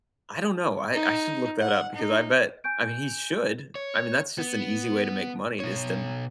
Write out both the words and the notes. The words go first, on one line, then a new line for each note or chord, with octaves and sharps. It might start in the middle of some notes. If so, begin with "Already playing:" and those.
I don't know, I I should look that up because I bet I mean, he should. I mean, that's just an easy way to make money is to m
D#4
F#5
D#4
G#5 C#6 G6 D7
C#5
B3
B2 C#5